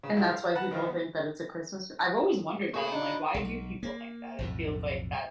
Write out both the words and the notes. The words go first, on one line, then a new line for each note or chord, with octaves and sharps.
And that's why people think that it's a Christmas I've always wondered that, I'm like, "Why do people think that it feels like that?"
C#3
A#1 G#3 E4 G5
F5
B4 F#5 A5
D#3 F3 F5
B3
A3 A#3 F#4 G#4 B5
D4 D#4
B1
A#3
B1 F2 A2